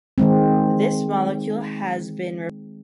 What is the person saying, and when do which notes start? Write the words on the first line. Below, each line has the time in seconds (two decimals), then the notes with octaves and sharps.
This molecule has been reported to have broad-spectrum antimicrobial activity that includes human pathogens.
0.18 D#3 G#3 C4